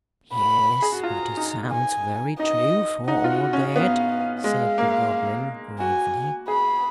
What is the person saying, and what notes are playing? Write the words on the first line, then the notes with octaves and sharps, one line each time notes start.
"Yes; but it sounds very true, for all that," said the Goblin, gravely.
B5
G#4
F#4
F4 A#5
D#4
G#5
D#4 D#5
D#4 F#5
F4
F#4
C#4
B3 F5
G#3 F5
A#3
F#4 G#5
G#4 B5